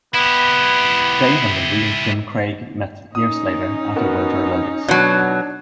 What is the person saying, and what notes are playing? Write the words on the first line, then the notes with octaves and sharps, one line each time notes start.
Dave and the real Jim Craig met years later at a Winter Olympics.
B3 E4 G4
C#4 D#4 D#6
B3 F#4 A#4
B2 F#3 D4